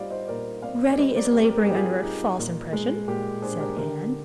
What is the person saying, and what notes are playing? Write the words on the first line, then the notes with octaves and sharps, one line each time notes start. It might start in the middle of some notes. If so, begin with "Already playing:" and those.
"Reddy is laboring under a false impression," said Anne.
Already playing: G3 F4 C5 D5 D#5 F5
C5 D#5
A#2 A#4 D5
C4 D5 F5
D5
G3 C5 D#5
C5
A#4 D5
C4 G4 A#4
A#4
G#4
G3 G4
F4 G#4
D#4
A#2
G#3
A#2 G4
D4 G#4 C5
G4 A#4
D3 G4 A#4